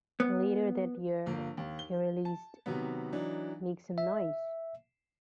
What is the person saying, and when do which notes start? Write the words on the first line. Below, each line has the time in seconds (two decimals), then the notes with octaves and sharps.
Later that year, he released "Make Some Noise".
0.20 B3
1.26 G1 F3 A#3
1.57 D#2
1.79 G7
2.25 A5
2.66 C3 D#3 F#3 B3
3.13 E3 F#3 D4 D#4
3.98 E5